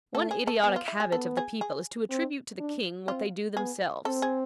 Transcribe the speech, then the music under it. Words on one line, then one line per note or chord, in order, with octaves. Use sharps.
One idiotic habit of the people is to attribute to the king what they do themselves.
A3 A4
G#4
A4
B3 G#4
F4
E4
G#4
B3 A4
G#4
G#4
C4
D4
C4 F4
B3 G#4
C4 A4
G#4